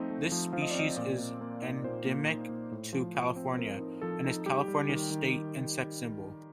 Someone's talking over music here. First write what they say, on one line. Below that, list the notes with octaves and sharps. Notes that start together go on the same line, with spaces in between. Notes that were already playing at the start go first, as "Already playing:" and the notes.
This species is endemic to California, and is California's state insect symbol.
Already playing: F3 A3 C4 D#4
A3
F3
F3 F5
D#5
D5
C4 D#5
A#2 D5
A#3
A#3
D#4
A#2 C5
A#3
D#4
A#2
A2
F3
F3
C4
C4 A#4
D#4
F3 A4
D#4
G3 G4
G3
D#3
D#3